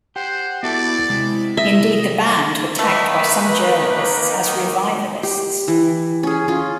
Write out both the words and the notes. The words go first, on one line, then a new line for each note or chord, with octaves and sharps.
Indeed, the band were tagged by some journalists as "revivalists".
G4 C5 F#5
B3 E4 F#4 A4 D5
C3 G#3 E4
D#5 E5
D#3 A3 A#3 B4
G4
E3
C#4 G#4
C#4 F4